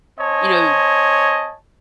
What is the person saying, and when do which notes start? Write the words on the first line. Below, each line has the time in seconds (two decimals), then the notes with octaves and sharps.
you know,
0.19 C4 C#5 D#5 G#5 A5